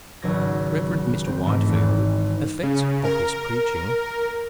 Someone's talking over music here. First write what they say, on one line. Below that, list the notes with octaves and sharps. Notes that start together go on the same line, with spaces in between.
Rev. Mr. Whitefield. Effects of his Preaching.
G#1 C#2 F#3 G#6 A#6
C4
G#2 E3 A3 D#4
G#1 G#2
C#3
A#4